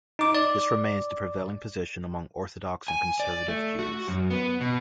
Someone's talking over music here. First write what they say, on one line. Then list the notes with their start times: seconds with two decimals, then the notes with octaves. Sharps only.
This remains the prevailing position among Orthodox and Conservative Jews.
0.19 D#4 D6
0.34 D5
2.88 G#5
3.20 D5
3.48 A3
3.79 F#4
4.08 F#2
4.30 B3
4.61 B2